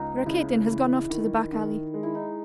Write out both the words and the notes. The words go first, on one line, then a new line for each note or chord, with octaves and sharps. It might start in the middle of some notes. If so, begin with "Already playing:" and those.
Rakitin has gone off to the back alley.
Already playing: C#2 D#4
C#3 E4
E3
D#3
D#3
G#3
E4
D#4